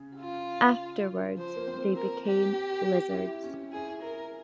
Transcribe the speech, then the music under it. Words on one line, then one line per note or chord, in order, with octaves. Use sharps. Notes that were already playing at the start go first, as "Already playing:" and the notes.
Afterwards, they became lizards.
Already playing: C#3
F4
F3 C5
A#3
C4
A#4
G4
E4
C#4
E4 G#4
E4 A#4